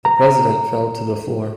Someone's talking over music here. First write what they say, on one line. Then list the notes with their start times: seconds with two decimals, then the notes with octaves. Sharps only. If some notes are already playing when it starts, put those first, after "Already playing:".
The President fell to the floor.
0.05 A#5